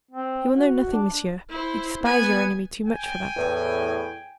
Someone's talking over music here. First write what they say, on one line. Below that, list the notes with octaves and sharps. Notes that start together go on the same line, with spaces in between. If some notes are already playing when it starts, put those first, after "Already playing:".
"You will know nothing, monsieur; you despise your enemy too much for that."
C4
F#4
D4
E4 C5
B3 G#5
G5 G#5
E2 A2